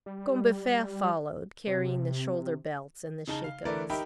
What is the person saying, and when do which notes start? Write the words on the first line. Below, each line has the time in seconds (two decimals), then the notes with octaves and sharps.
Combeferre followed, carrying the shoulder-belts and the shakos.
0.06 G3
1.67 C3
3.27 C#3 D#4 A5 G7
3.44 F5
3.65 D3 E3 A3 A#4 B4 D5
3.90 D#4 G4 A#4 E5 G5 B5